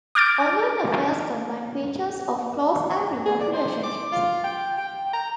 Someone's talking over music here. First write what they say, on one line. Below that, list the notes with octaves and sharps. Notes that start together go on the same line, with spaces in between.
Online affairs combine features of close and remote relationships.
D6 F6 G6 A6 D7
G#4
D5
C5
D6
F4
G5
G5
A#5